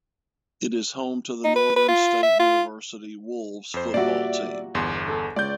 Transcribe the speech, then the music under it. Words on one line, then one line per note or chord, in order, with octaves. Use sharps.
It is home to the Northern State University Wolves football team.
D#4
B4
B4
F4
E5
F4
F2 C5
A#2 G3 F#4 D5 E5
G1 E2 C6
A4
C#2 D5 G6